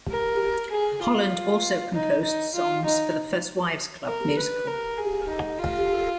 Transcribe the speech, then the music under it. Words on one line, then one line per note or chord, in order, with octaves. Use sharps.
Holland also composed songs for the "First Wives Club" musical.
A#4
G#4
F4
D#4
D#4
F4
D#4
A#4
B4
A#4
G#4
D#4
F4